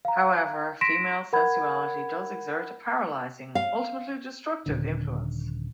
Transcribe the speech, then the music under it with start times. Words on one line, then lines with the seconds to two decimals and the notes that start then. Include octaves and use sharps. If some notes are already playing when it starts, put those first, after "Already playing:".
However, female sensuality does exert a paralyzing, ultimately destructive influence.
0.05 F5 A#5
0.81 C6 A#6 B6 D7 E7
1.33 A#4 F#5 B5 G#6
3.55 F5
4.66 D#1 A#1 D3